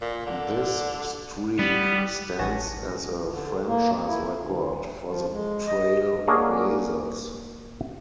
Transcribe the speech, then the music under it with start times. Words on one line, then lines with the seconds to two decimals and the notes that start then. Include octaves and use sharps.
This streak stands as a franchise record for the Trail Blazers.
0.02 A#2
0.26 D3
1.59 G3 B3
2.39 A1 C#5 F#5 G#5 A5 A#6
3.28 D3
3.67 A#3
4.06 E4
4.34 D2
5.07 F3
5.30 G#3
5.67 D#5
6.28 A#3 D4 F#4 G#4 C#5